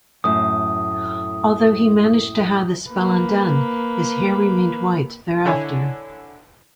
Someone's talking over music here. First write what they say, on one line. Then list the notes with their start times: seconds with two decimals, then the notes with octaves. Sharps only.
Although he managed to have the spell undone, his hair remained white thereafter.
0.24 F#2 A2 D#6
2.92 A#3 B4
5.45 D3 E4 C#5 G#5